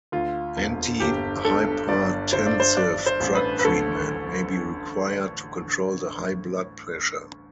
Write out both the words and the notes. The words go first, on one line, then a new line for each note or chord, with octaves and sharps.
Anti-hypertensive drug treatment may be required to control the high blood pressure.
D2 F4
E1
G1 G4
G2 A4
G1 D5
G1 C5
D5
C5
G2 D5
C5
A1
B4
B4
D2 A4